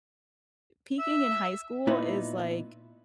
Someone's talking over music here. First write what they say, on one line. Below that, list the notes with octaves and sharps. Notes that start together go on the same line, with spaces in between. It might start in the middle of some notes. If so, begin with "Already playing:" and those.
peaking in high school is, like
E5
A#2 B3 D#4 E4